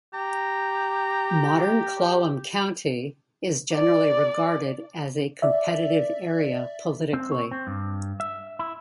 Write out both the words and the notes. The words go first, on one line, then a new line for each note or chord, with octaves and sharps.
Modern Clallam County is generally regarded as a competitive area politically.
G4 A#5
D5
D5 E5
C4
C#5
C4
G2
E5
E4